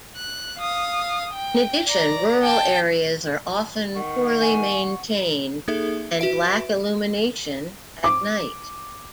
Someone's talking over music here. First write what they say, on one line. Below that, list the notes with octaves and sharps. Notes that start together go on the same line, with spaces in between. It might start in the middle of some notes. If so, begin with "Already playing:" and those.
In addition, rural areas are often poorly maintained and lack illumination at night.
F#6
F5 D#6
G5
D5 A#5
G5 A5
D#3 F#5 C#6
G#5
A#3 D#4 G#4 A4 E5
F#4 B4 E5 D7
D6